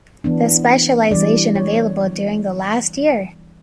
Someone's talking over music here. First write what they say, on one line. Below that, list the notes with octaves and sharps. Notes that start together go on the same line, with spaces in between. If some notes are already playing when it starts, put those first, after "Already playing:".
The specialization available during the last year.
E3 B3 D4
E3 G3 D4 D5
C#5